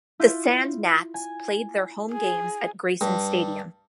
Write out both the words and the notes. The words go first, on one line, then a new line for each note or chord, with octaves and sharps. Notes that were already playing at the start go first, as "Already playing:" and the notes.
The Sand Gnats played their home games at Grayson Stadium.
E4 F4 G6
G#5
G#4
G2